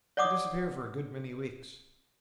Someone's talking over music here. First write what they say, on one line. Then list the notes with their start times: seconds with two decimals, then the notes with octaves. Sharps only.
He disappeared for a good many weeks.
0.17 C#5 D5 F#5 D6 D#6